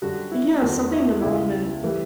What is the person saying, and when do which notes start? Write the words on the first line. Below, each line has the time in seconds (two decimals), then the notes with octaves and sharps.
yeah, something in the moment
0.02 F#2 D3 G3 F#4
0.32 E4
0.62 E2 D3 F#3 F#4
0.91 E4
1.21 C#2 C#3 G3 E4
1.84 E3 G3